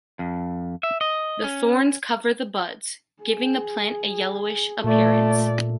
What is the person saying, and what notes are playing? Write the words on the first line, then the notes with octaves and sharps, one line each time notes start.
The thorns cover the buds, giving the plant a yellowish appearance.
F2
E5
D#5
C#4
G#4
A#2 A3 F4 D5